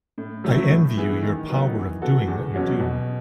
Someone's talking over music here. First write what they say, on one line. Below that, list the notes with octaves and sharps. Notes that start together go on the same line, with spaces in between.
I envy you your power of doing what you do.
A2
F#3 A3 C#4 E4
A2
E3 B3 E4 G#4
D#3
F#3 B3 D#4
E3
B3 F#4 A4
E2
B2 F#3 C#4 F#4
B2